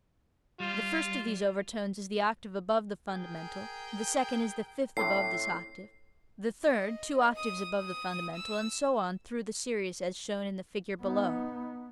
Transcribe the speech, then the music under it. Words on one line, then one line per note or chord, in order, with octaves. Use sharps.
The first of these overtones is the octave above the fundamental; the second is the fifth above this octave; the third, two octaves above the fundamental, and so on through the series as shown in the figure below.
G3 F4
G#4 A#4 G5
A2 A3 C4 D4 C7
D#5
D#6
D#6
E6
B3 D#4